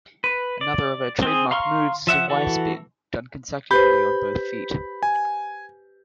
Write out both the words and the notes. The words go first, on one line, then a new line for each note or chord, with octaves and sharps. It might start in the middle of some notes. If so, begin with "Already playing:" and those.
Another of her trademark moves is a Y-spin done consecutively on both feet.
B4
D5
C4 G#4
F5 A#5 C6 C#6 F6
F3 E5 F#5
E3 F#4 A4
G4 B4 C5 B5 G6
G#5